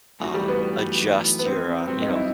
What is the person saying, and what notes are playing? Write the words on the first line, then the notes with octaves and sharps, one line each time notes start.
um, adjust your, um, you know,
F#2 E3 A3 D#4 F#4
G3
B3
B3
C4
G2 F#3 B3 C4
D#4
E4